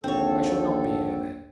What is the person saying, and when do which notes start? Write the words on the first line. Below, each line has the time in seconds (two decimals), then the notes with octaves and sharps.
'I shall not be here then.'
0.04 A#1 D#2 D3 C4 A4 C#5